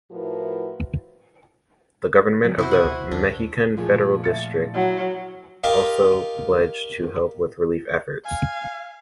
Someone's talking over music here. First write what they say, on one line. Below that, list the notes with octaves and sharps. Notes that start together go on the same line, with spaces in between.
The government of the Mexican Federal District also pledged to help with relief efforts.
A2 F3 E4 F#4 A#4 B4
F#3
C3 E4 F#4 C5
F#5 G#5
D2
D#2 D4
A#2 F3 A3 F4 G#4
E5 A6 C#7
F#3 E4 F#5
F4 G4 A#4 D#5 F5
F5 G#5